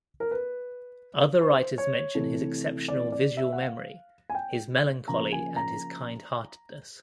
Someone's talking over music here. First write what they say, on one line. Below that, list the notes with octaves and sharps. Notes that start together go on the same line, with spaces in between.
Other writers mention his exceptional visual memory, his melancholy and his kind-heartedness.
A#4
B4
C5
C#5
C3 E3 A3
D5
D5
E5
F#5
F5
G#5
G5
C#3 F3 A#3 A#5
G#5
A#5